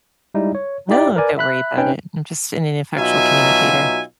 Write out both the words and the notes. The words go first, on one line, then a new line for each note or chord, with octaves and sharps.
No. Don't worry about it. I'm just an ineffectual communicator.
G3 G#3 D#4 E4
C#5
D#4 E4 G4 D5 G5
A#4 B4 D5 G#5
E5 B5 F#6
C#4 D#4 B4 G5
B2 F#3 D#4 F4 E5 G#5